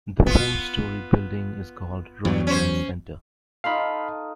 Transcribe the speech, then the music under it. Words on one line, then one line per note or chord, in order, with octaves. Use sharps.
The four-story, building is called the Ron Joyce Centre.
B3 F4
E2 G2 F#3
C#4 C5
D#4 F4 A4 F5 B5